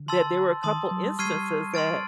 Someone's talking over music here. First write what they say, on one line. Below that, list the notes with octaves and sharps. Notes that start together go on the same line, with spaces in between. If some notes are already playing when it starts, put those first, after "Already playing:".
That there were a couple instances that
Already playing: D3
A5 C6 E6 A6
D#3 A5 C6 D#6
F#3
G3
G3 C#6 F6 G#6 C7 D#7
G#3
G3
C6 F6 A6 D7